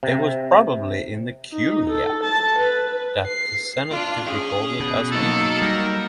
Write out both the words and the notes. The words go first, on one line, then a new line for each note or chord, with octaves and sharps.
It was probably in the curia that the senate is recorded as meeting.
C3
D#4
A4
A5
B4
B4
C7
D4 F4
C#4 G#4
B2
F#3 A#3 D#4 A4
G3 A#4